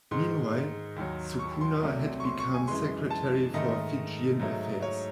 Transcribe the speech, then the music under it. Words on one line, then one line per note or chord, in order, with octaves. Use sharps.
Meanwhile, Sukuna had become Secretary for Fijian Affairs.
G#2 D#3 G#3 C6
D#2 D#3 F#3
C#6
C6
C2 C3 F#3 A3
C#6
C6
C#6
G#5
F#2 E3 G#3 C6
A5
G#2 D#3 A3 D#5
G#2 F#3 A3
C#5